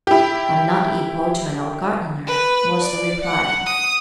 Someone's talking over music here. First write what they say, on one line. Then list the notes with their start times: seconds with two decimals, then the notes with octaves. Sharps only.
"I am not equal to an old gardener." was the reply.
0.07 E4 G4
2.26 B4
2.81 D5
3.24 F#5
3.66 D#6